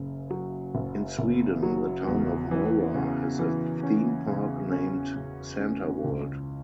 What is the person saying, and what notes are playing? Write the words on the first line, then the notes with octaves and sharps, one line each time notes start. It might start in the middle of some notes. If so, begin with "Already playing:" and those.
In Sweden, the town of Mora has a theme park named "Santaworld".
Already playing: F#1 C#3
F#3
F#1
F#1
F#3
E2
E3
C#3
E3
C#4
C#3
C#4
C#3
C#4
C#2